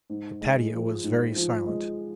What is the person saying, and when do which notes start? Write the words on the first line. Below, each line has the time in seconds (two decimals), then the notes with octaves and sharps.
The patio was very silent.
0.10 G#2
0.41 G#3
0.72 F3
1.04 G#2
1.36 F3
1.67 G#3